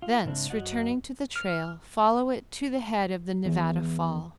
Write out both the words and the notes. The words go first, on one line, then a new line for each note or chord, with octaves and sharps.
Thence returning to the trail, follow it to the head of the Nevada Fall.
F4
G#2 C#3 C4 D4 E4
F#2 F#4 C#5 D#5 F#5
F6
E2